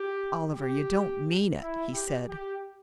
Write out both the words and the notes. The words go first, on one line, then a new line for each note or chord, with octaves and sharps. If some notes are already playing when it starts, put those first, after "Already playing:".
"Oliver, you don't mean it," he said.
Already playing: G4
G4
E4
G4
G4